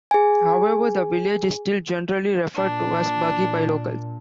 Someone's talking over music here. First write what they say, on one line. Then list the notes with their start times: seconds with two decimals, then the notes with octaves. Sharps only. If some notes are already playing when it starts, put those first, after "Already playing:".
However, the village is still generally referred to as 'Buggy' by locals.
0.11 G#4 G#5
2.55 A#2 D4